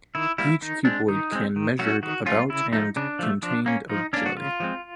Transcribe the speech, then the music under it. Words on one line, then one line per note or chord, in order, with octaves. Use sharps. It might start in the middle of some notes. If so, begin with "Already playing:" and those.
Each cuboid can measured about and contained of jelly.
D#3 E4
G3 A#3 E4
D#3 D#4
G#3 C4 D4
D#3 D#4
G#3 C4
D#3
F#3 A3 C#4 F#4
D#3 F#4
F#3 A3 C#4 F4
C#3 E4
F3 A3 D#4
C#3 D4
F3 A3
F3 D4
A#3 C#4
F3 D#4
A#3 C#4 D4
F#4
C#3 F4
F3 G#3 C4